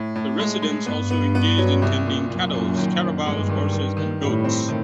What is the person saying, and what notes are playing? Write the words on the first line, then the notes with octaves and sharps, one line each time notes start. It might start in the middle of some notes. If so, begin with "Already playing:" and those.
The residents also engaged in tending cattles, carabaos, horses and goats.
Already playing: A2
A2
G#3
G#3
G2 B3
B3
B3
F#3
C2
A#2
F#2 A#2
A#2
D#3
D#3
G2 G#3
D#3
D#3
D#3
A2 G3
C4
D#3